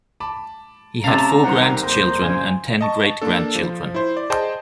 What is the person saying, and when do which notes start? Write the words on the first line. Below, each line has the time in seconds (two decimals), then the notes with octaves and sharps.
He had four grandchildren and ten great-grandchildren.
0.20 A5 B5 D6
1.04 C3 A3 C#4 F5 A5 A#5
1.44 C2 D#3 C4 F#5
1.82 D#1 A#4 C5 A#5
2.22 F#2 C#3 G#5
2.81 D#5 A5 C#6
3.21 A#3 D4 A4
3.55 F3
3.94 E4 C5
4.17 D5
4.30 G#4 C5 D#5 G5 A5